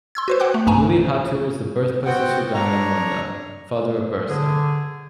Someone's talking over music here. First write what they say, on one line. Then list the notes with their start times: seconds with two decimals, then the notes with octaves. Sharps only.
Ulihatu was the birthplace of Sugana Munda, father of Birsa.
0.15 C6 E6 G#6
0.28 F#4 B4 C5
0.40 F#5 G5 D6 F#6
0.54 A3
0.67 B1 G2 A3 G#5 A#5 E7
2.05 B3 C4 F#4 F#5 G5
2.54 D4 C#5 A#5
4.28 D3 G#4